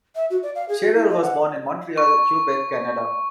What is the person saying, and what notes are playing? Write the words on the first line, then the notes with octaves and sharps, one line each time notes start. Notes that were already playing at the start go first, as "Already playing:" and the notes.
Shearer was born in Montreal, Quebec, Canada.
E5
F#4
D5
F5
G#4
F#4
E4
D#5
F#5
C#6